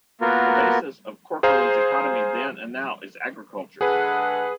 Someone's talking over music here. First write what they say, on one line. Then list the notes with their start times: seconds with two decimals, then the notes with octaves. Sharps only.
The basis of Corcoran's economy then and now is agriculture.
0.21 A#3 B3 F4 F#4 A#4
1.43 G#4 C5 F5 A#5
3.81 D3 G#3 G#4 B4 F#5